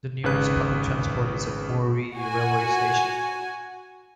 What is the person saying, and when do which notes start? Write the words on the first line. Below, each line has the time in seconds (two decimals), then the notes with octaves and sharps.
The nearest public transport is at Moree railway station.
0.24 G#1 C#3 B4 F#6
2.15 F#4 G#5